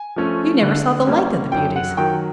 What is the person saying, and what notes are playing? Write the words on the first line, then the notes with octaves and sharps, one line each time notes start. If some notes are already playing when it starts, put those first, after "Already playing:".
You never saw the like of the beauties!
Already playing: G#5
F3 A3 C#4
D3
G3 A#3 C#4
F#2 G5
F#5
D#3 F#3 G5